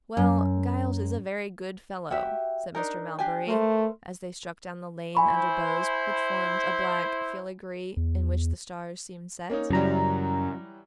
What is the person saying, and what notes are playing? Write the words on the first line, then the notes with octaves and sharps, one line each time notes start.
"Well, Giles is a very good fellow," said Mr. Melbury, as they struck down the lane under boughs which formed a black filigree in which the stars seemed set.
F#2
F#4 G4 E5
D4 D#4 A#4
D4 G4 G#5
A3 A#4 C5
E4 C5 G#5 B5 C#6
E2
A#3 C#4 D#4
F#2 C#3 E3 F#3 G3 A#5